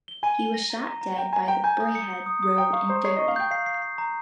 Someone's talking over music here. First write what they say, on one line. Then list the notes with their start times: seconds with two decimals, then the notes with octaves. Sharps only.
He was shot dead by the Braehead Road in Derry.
0.08 G7
0.23 G#5 D#7
0.39 G7
0.54 A#6
0.70 A#5
0.86 A#5
1.01 A#5
1.16 G5 A#5
1.33 G#5 A#5
1.48 G5 A#5
1.64 G#5 G6
1.80 D#6
1.95 C#7
2.10 C#7
2.26 D#6
2.43 D#6
2.58 G5 A#5
2.73 F5 C#6
2.88 C5 A#5
3.04 C#5 C7
3.16 D#5
3.19 C#6
3.28 F5
3.36 G5 G6
3.51 F5 C7
3.66 C7
3.82 C7
3.98 A#5